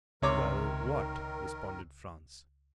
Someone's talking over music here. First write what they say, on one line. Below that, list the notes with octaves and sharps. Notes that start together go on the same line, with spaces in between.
"Well--what?" responded Franz.
C#2 C3 D#3 A#4 C#5 D6